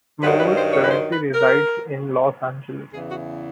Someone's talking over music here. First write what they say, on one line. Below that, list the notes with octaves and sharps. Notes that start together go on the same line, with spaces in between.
Moore currently resides in Los Angeles.
G2 D#3 F#3 B4
B4
C5
C#5
B4
C5
B4
A#4
E2 C#3 E3 G#4
F#4